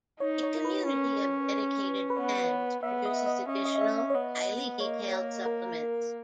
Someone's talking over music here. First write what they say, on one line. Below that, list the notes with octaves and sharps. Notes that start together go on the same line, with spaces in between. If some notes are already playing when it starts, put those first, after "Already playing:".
A community of dedicated fans produces additional highly-detailed supplements.
D#4 C#5
C#5
A#4
B4
C#4
B4
B3 C#5
B3 E5
D#5
D#5
C#4 D#5
D#5
D#5
E5
E5
C#5
B3 D#5
A#3 C#5
A#4
A#4